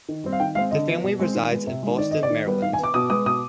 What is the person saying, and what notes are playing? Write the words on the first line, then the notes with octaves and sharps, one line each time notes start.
The family resides in Fallston, Maryland.
D#3
G3 C4
F5
D#3 G5
G#3 C4 F5
D3 D#5
F3 B3
B2
G#3 C4
D#3
G#3 B3
C3
D#3 G#3
D#3 D5
B3 D#5
D5
D#3
G3 B3
D#3 F5
G#5
B3 D6
B2 D#6
G#3 B3 D#6
B2 D#6